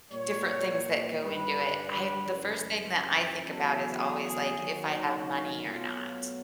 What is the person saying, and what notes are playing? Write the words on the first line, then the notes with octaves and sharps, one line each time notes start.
different things that go into it. I the first thing that I think about is always like if I have money or not.
A#2 G3 A#3 C#5
G2 D3 G3 A#3 B4
F#2 C#3 E3
A#4
E2 C#3 F#3 A3 A4
G#4
D#2 D#3 F#3
F#4
B2 F#3 A3 F4